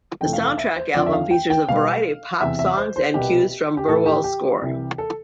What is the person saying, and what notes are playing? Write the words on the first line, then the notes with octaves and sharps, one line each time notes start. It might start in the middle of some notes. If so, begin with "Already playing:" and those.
The soundtrack album features a variety of pop songs and cues from Burwell's score.
F2 C3 E3 A3 G5
F5
F5
E5
C5
F2 D3 F3 D5
E5
F5
G5
G5
B2 G3 B3 F5
E2 C3 E3 E5
E5
C5
C5
C2 B2 B3 G4
G4
A2 E3 A3 A4
G4
G4
C2 C3 E3
A4